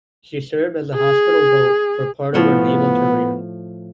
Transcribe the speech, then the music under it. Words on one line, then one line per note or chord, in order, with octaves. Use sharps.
She served as a hospital boat for part of her naval career.
G#4
A2 F3 B3 C#5